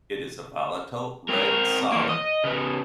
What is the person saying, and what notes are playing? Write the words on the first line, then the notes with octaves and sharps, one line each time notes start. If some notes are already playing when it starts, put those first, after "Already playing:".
It is a volatile red solid.
C4 A#4
E3 A#3
D#5
C#3 B3